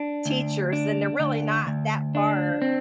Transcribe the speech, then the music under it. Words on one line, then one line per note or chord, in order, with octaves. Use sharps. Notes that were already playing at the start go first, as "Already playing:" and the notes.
teachers, then they're really not that far
Already playing: D4
D2
D4
D2
D2
D4
C4